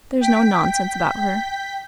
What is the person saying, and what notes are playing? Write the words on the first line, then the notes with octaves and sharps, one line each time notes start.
"There is no nonsense about her."
G5 B6